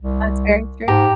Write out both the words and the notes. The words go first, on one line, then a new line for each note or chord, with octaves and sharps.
That's very true.
C2
G#2 G4 A#5